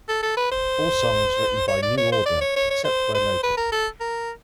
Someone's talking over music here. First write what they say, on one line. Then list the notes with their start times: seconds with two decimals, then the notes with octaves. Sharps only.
All songs written by New Order, except where noted.
0.09 A4
0.22 A4
0.37 B4
0.51 C5
1.68 C#5
1.83 D5
1.98 C#5
2.12 C5
2.26 D5
2.41 C#5
2.56 C#5
2.70 C#5
2.84 C5
3.14 C5
3.43 B4
3.57 A#4
3.72 A4
4.00 A#4